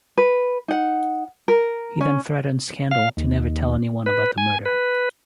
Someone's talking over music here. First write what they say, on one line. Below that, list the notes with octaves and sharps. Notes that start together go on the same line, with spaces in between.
He then threatens Kendal to never tell anyone about the murder.
B4
D#4 F#5
A#4
C#4
F5
D#2
B4
G#5
B4